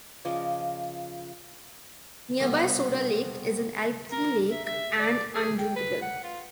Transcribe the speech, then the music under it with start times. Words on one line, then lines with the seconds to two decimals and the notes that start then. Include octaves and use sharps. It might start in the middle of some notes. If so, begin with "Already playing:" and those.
Nearby Soda Lake is an alkali lake and undrinkable.
0.25 C#3 F3 D5 D#5
2.40 C2 B2 G4
4.12 A#4
4.51 E5
4.65 E5
4.99 D5
5.35 G#4
5.59 G5
5.76 B4
6.02 F#5
6.23 F4